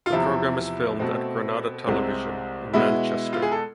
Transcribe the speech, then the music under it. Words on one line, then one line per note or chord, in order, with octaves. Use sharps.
The programme is filmed at Granada Television in Manchester.
F4
E2 C3 F3 E4
B2 A3 C4
C2 C3 G#3 C4
B2 G#3 B3 E4
F4
G#4
A4